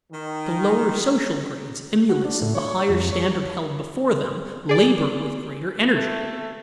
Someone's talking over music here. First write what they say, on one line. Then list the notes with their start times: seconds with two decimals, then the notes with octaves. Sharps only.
The lower social grades, emulous of the higher standard held before them, labor with greater energy.
0.12 D#3
2.09 F#4
2.25 D4
2.42 A2
2.55 C#5
2.89 F2
3.12 C#5
4.69 G#4 D5
5.94 A3